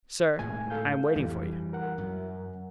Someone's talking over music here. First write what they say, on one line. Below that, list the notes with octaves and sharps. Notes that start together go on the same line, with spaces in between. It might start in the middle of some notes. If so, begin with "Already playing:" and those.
"Sir, I am waiting for you."
A2 D#3 G#3 G#5
A4 F5 G6
F2 E3 G3
A#4 F#5
F#2